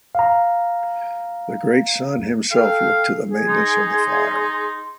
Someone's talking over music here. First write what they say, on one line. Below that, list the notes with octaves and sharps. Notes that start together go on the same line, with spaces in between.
The Great Sun himself looked to the maintenance of the fire.
F5 A#5
A4 F5 G5
G#4
D#4 C6